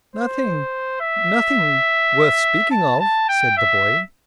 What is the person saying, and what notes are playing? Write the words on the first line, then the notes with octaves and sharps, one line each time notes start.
"Nothing--nothing worth speaking of," said the boy.
C5
E5
A5
A5
G5
E5